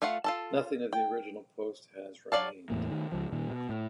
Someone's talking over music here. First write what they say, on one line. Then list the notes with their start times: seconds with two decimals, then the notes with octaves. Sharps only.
Nothing of the original post has remained.
0.02 A3 F4 F5 F#5
0.24 F4 A4 A5
0.93 G5
2.32 F#3 D5 F5 A5
2.70 E2 A2 A#3
2.91 D#3 A3
3.12 C#2 F3
3.32 A#2 D#3 G3
3.51 B2
3.69 A2